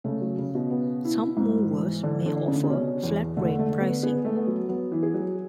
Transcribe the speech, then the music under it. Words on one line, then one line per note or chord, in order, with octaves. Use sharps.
Some movers may offer flat rate pricing.
C#3 A3
F#3
C#3
B2
B3
E4
G#2
E3
D3 D4
D3
D4
C#3
D3
C#3
B2 C#4
E2
D3 A3
A3
D3
B3
B3 G#4
A3
B3
F#3
F#3 B3
E3
G#4
F#3